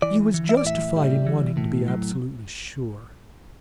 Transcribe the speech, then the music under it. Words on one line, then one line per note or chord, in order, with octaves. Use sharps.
He was justified in wanting to be absolutely sure.
E3 D5
E3
E5
D5
A2 E5
G3
E3
A2
F#3